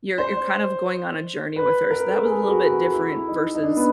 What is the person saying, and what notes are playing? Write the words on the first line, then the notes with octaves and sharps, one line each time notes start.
you're you're kind of going on a journey with her. So, that was a little bit different versus,
C5
B4
A#4
A4
G#4
F#4
F#4
E4
D#4
D#4
D4
B3